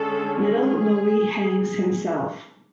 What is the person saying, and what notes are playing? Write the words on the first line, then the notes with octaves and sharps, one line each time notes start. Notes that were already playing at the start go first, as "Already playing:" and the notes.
Little Loewy hangs himself.
Already playing: D3 G#3 C#4 A4
G#4